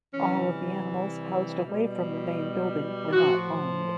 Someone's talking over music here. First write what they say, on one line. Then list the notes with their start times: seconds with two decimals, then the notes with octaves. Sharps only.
All of the animals housed away from the main building were not harmed.
0.13 C3 E3 G3 C#4
1.64 B2 G3
3.12 A2 F3 F#4